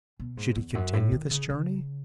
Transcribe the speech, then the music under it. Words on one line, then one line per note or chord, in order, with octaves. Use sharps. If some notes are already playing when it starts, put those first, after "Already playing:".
Should he continue this journey?
B2
G#2
E2
F#2
A2
D#3
C#3
C#3